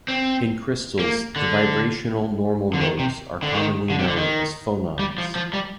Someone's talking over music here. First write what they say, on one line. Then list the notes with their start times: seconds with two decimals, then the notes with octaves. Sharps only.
In crystals, the vibrational normal modes are commonly known as phonons.
0.08 C4
0.99 A#3
1.36 D3
2.74 D3
2.81 D#3
2.99 C3
3.43 D3
3.54 D#3
3.90 D3
3.99 C3
4.08 D3
4.17 D#3
4.99 G3
5.18 F3
5.36 F3
5.53 G3